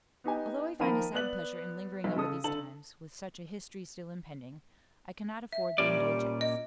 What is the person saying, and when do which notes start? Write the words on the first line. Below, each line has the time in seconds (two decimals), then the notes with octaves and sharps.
Although I find a sad pleasure in lingering over these times, with such a history still impending, I cannot afford the indulgence.
0.24 B3 D#4 G4 G#5
0.79 D#3 F3 A#3 A#4 B5 D#7
1.13 B3 D5 F#6 F#7
2.04 B1
2.16 C#3 A4 D#6
2.44 D3 A4 A5 F#7
5.53 E5
5.78 A#2 G3 C#4 D5
6.41 D#5